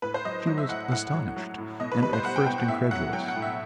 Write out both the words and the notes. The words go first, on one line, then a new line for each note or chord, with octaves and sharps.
She was astonished, and at first incredulous.
A2 B4
C5
F#3 D#5
F#3 D#5
E5
A2 F#5
A2 F#5
F#3
F#3
A2
B2 D#5
B4
G3 B4
C5
G3 F#5
G5
B2 G5
F#5
A2 E5
F#3 F#5
F#3 G5
F#5
A2
E5